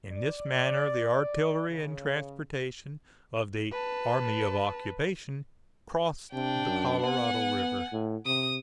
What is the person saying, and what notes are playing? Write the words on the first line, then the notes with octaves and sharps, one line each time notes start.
In this manner the artillery and transportation of the "army of occupation" crossed the Colorado River.
D5
C#3
B4 A5
C3 D4 G5
F#2
B3 F#5 G#5
A2
C3 D#6